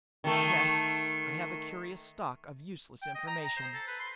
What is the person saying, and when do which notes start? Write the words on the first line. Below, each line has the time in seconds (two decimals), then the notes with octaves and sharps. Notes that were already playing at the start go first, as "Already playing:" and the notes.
"Yes, I have a curious stock of useless information."
0.24 D#3 A3
3.02 G5
3.15 D#5
3.27 A#5
3.44 A#5
3.57 C5
3.74 A4
3.87 B4
4.00 C6